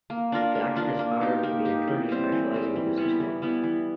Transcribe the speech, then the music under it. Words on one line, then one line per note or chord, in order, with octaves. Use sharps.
Jackson aspired to be an attorney specializing in business law.
A#3
D4 F4 A#4
A#3
D4 F4 A#4
A#3
D#4 G4
A#3
D#4 G4
E3
G3 C4
E3
G3 C4
E3
G3 B3 E4
E3
G3 B3 E4
E3